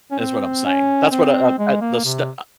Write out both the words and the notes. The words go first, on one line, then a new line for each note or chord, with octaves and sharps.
That's what I'm saying. That's what, uh uh, the Sn uh,
C#4
C4
C#4
C4
G#3
A#3
C3